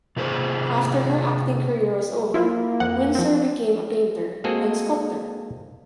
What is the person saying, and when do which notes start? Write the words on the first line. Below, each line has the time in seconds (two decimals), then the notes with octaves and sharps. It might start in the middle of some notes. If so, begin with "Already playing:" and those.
After her acting career was over, Windsor became a painter and sculptor.
0.16 C3 F4 G#4 B4 C5
2.34 A#3 E4 F4
2.80 F2 F#5
3.15 F3 C4
4.44 G#3 A#3 C4 F#4 G#4 A4